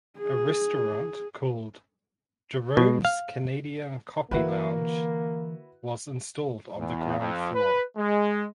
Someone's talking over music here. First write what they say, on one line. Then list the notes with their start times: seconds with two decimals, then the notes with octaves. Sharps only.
A restaurant called "Gerome’s Canadian Coffee Lounge" was installed on the ground floor.
0.19 G#4
2.77 B2
3.05 F5
4.31 D3 E3 A#3 E4 F#4 B4
6.77 E2
7.19 F2
7.54 B4
7.97 G#3